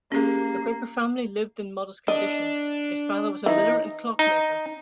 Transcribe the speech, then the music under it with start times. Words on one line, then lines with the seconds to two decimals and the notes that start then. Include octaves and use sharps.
The Quaker family lived in modest conditions; his father was a miller and clockmaker.
0.12 A#3 C#4 G4 G#4
2.08 D4 D#5
3.46 E3 D#4
4.19 D#4